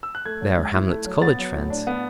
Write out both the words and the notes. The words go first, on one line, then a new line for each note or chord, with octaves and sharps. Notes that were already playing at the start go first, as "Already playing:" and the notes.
They are Hamlet's college friends.
E6
F#6
A3 G#6
F#3
G#2
E4
A3
F#3
B3 A6
F#3
A2
D4
B3